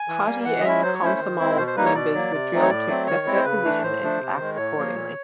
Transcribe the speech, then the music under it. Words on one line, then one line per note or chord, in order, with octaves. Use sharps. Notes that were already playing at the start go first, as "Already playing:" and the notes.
Party and Komsomol members were drilled to accept that position, and to act accordingly.
Already playing: G#5
E3
G3 A#3
E3 F#5
D#5
G#3 C#4 E4 E5
F#3 C5
C#5
A3 C#4 E4 C5
D#3
G#3 C4 E4
B2 C5
C5
G3 A#3 D#4 B4
C#5
B2 D5
F#3 A#3
C3
E3 A3 C4 D#4
C#5
A2 D5
F#3 A3 C4
D#3 C#5
G#3 C4 E4
C5
C#3 B4
E3 A3 D4
A2 C5
F3 A3 D4
C3
D#3 G#3
A2 C#5
F3 A#3
A#2